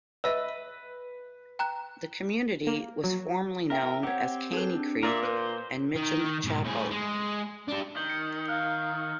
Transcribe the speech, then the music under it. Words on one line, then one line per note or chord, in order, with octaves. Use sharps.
The community was formerly known as "Caney Creek" and "Mitcham Chapel".
B4 D#5 E5 E6
G5 A#5 F#6
A#3
F#3
E4 A#4 E5 G5
C4 G4 C#5 F#5
G#4 A4 B4
D4
A#2 A#4 D5 E5
B4 C5
D#3
G#2 B2
A2 G#4
G#3
D4 G4
D#3 G6 F#7 G7
C#7
F5 F6 F#6